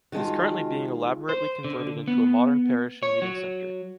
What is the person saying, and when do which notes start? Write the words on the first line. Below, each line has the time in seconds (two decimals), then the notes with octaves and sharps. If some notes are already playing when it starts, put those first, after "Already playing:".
It is currently being elaborately converted into a modern parish and meeting center.
0.12 D#3 G#3 F4 F#4 D#5 A5
1.29 C5
1.64 D3
2.08 B3
3.03 C#5
3.22 F#3